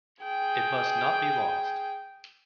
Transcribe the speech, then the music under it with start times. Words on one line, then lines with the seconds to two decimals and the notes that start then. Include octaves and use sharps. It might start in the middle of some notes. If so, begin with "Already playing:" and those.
It must not be lost.
0.24 G#4 G5